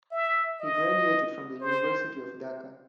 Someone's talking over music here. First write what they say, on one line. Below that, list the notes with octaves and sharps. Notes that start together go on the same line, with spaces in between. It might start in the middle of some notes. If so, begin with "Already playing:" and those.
He graduated from the University of Dhaka.
E5
D#5
C5